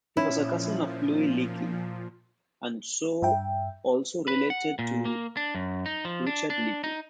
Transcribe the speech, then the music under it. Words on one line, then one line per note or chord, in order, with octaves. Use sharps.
He was a cousin of Louis Leakey, and so also related to Richard Leakey.
A#2 F3 C#4 E4
G2 E5 G5
B4
F#5
A#2
A#3
D4
F#2
D#4
F3
D4
D4
D#4